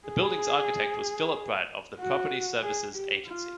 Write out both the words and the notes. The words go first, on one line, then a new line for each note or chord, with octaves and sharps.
The building's architect was Philip Bright of the Property Services Agency.
G#4
F#4
G#4
G4
F4